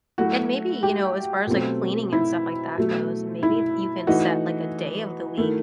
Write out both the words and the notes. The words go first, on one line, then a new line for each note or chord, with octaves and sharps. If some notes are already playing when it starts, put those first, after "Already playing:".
And maybe, you know, as far as, like, cleaning and stuff like that goes, maybe you can set, like, a day of the week.
F#3 A3 E4 F#4
G4
B2 F#3 A3 C4
E4
B2 F#3 A3
E4
E3 A3 D#4 F#4
D#3 A3 E4